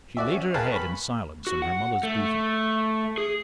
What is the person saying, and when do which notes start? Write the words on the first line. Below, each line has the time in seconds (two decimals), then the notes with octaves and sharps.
She laid her head in silence on her mother's bosom.
0.17 F#4 D5 E5
0.32 C#4
0.54 G#4 A#4 B4 F5 G5 A5
0.72 B5 C#6
1.47 F#4
1.62 F#5
2.03 A3
3.18 G#4